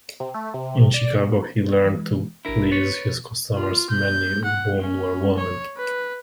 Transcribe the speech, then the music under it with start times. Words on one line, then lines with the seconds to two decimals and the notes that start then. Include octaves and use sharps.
In Chicago he learned to please his customers, many of whom were women.
0.20 C3
0.34 A3
0.54 C3
0.94 D5
1.85 E3 G#3
2.45 A1 D4 E4 A#4
2.72 B4 C#5 A6
3.56 F4
3.90 G6
4.44 F#5
4.81 C#4
5.37 C#5
5.77 B4